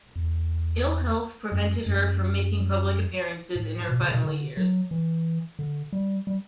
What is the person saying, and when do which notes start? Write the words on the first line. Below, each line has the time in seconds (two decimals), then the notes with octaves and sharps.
Ill health prevented her from making public appearances in her final years.
0.16 E2
1.52 F#2
1.86 F#2
3.56 A2
3.89 B2
4.01 C#3
4.11 B2
4.23 D3
4.57 F#3
4.91 E3
5.59 D3
5.93 G3
6.27 G3